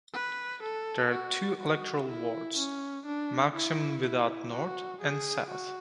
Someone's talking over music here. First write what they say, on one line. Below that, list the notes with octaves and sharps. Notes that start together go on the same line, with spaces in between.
There are two electoral wards, Melksham Without North and South.
B4
A4
F#4
F#4
E4
C#4
D4
E4
E4
F#4
G#4
F#4